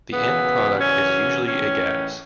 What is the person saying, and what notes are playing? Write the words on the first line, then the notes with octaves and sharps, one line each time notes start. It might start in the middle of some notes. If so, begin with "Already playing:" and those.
The end product is usually a gas.
F#2 C#3 E3 B3
F#2 C#3 E3 C#4
A2 E3 C#4